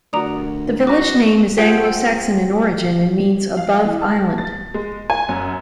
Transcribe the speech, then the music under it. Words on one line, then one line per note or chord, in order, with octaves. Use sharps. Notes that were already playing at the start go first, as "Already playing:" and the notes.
The village name is Anglo-Saxon in origin and means "above island".
D2 F#4 A#4 D5 A#5 D#6
F#4 B4 E5 A#5 D6
F4 G#4 C5 F#5 G5
F5
E3
A5
A6
G#3
G#5
F#2